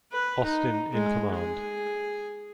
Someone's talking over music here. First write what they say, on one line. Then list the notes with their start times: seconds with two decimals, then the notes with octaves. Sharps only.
Austin in command.
0.12 B4
0.44 D#4
0.93 G#3
1.36 G#4